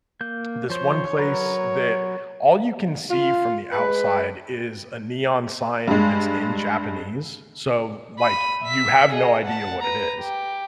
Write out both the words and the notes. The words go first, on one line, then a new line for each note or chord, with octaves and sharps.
this one place that all you can see from the outside is a neon sign that's in Japanese, so, like, you have no idea what it is,
A#3 G6
F3 C5 C#5
F#3 A#4 B4
F4
G#3 B4
G2 G#3
B5 D#7
E5 B6
G#4 D#5
F#5 A5
B4 A#5
G4